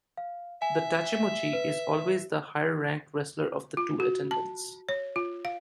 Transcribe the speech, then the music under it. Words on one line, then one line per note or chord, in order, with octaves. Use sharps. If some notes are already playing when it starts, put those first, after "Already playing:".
The "tachimochi" is always the higher ranked wrestler of the two attendants.
F5
E5 G#5
B4
F4
F#4
A5
C#5
F4
F5